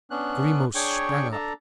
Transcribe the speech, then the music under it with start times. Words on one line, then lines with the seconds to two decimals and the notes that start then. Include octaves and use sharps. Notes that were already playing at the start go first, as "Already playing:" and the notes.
Grimaud sprang up.
0.11 B3 C#4 D4 F#6
0.75 D4 G#4 C#5 G5 C#6
1.32 D4 A4 A5 A#5